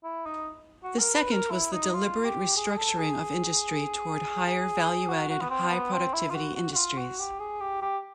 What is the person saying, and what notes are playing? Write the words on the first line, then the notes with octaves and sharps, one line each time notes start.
The second was the deliberate restructuring of industry toward higher value-added, high productivity industries.
E4
D#4
F#4
A#4
B4
A#4
E4
D#4
F4
G4
G#4
A4
G#4
G#4
F#4
F#4
B3
C4
B3
C4
E4
F4
F#4
F#4
F#4
F4
F#4
G4
G#4
G4
G4